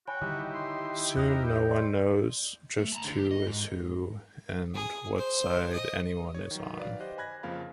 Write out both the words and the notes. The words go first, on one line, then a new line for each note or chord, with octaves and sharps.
Soon no one knows just who is who and what side anyone is on.
F#4 C#5 G5 G#5 B5
D3 D#3 G3 D#4 E4 G4
C6
E2 A#4 D#6 F#6
G5
D5 D#5 C6
A3
A5 A#5
D3
G4
D#5
G#2
G#4
C5
D#5
C#5
D#3 F#3
B4 D5 F5
G4 C5 D#5 F#6
G#5 B5 F#6 G#6 A#6
F2 C#3 F3 A#3 F5 B5